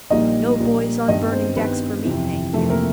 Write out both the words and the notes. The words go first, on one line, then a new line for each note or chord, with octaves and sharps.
'No boys on burning decks for me, thank you.'
A#1 A#2 G3 A#3 D#4 D#5
A#1 A#2 G3 A#3
G2 D#3 G3 B3 D#4 D#5
C4 C5
G2 D#3 G3 B3 B4
F2 C3 E3
F2 C3 E3 A3 A4
A#3 A#4